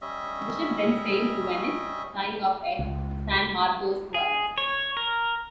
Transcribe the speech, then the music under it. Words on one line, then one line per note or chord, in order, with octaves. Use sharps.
The ship then sailed to Venice, tying up at San Marco Square.
G3 C#4 D#5 E5
C#2
G#4
C#5
A#4